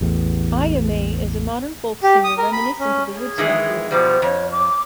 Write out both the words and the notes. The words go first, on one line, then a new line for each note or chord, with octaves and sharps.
Ayame is a modern folk singer reminiscent of the Woodstock era.
A1 E2 A2
G4
D#6
A#4
B5
C#4
G#4
D#3 E3 G#3
B2 F3 G3 C5
F2 C#5
D6